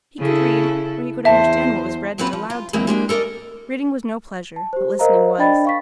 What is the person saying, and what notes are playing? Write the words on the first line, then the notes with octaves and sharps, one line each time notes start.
He could read, or he could understand what was read aloud to him; reading was no pleasure, but listening was.
C#3 E4 A4
E2 C5 E5 A5
F#3 A#3 C4 C#4 F4 B4
F3
F4
E2 G#3 A#3 C4 E4
G#3 A#3 D4 G4
A4 A#4 C5 D5 D#5
A5
G4 C5
A#4 C5 D#5 F5 A#5
D4 D5 D#5 G5 B5 A6
F5 C#6 B6